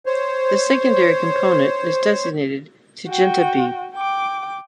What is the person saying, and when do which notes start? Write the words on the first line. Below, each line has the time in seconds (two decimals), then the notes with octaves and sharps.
The secondary component is designated "Taygeta B".
0.06 C5 C#5
3.08 F#4 G5
3.95 G5 D6